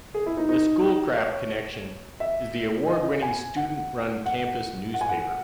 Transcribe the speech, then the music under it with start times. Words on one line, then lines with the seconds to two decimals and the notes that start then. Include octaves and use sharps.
The "Schoolcraft Connection" is the award-winning student-run campus newspaper.
0.14 G#4
0.26 E4
0.37 D#4
0.49 D#4
1.17 C#5
2.20 E5
2.89 D#5
3.22 G#5
3.57 F#5
4.26 F#5
4.94 F#5
5.01 G#5
5.09 F#5